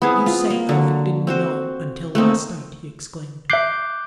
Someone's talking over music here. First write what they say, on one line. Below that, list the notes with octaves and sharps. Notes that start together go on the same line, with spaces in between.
"You say Elphick didn't know until last night!" he exclaimed.
B3 C4 E4 G#4
F4
A#3
D3 F#3
C4 F#4 C5
A3 A#3 C4 D#4
E5 D6 F#6 G6 C7